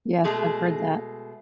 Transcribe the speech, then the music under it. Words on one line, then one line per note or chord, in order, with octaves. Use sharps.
Yes, I've heard that.
B2 G#3 A3 G#4